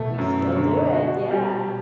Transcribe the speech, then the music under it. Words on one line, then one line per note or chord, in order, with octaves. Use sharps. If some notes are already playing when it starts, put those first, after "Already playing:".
we still do it, yeah.
Already playing: B2 A3
F#2
D3
F#4
G3